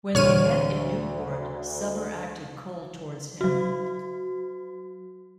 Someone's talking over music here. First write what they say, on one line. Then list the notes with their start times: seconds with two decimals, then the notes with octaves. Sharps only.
When they met in Newport, Summer acted cold towards him.
0.15 D2 A#2 D3 E3 F#3 C#5 F6 D#7
3.41 F#3 F#4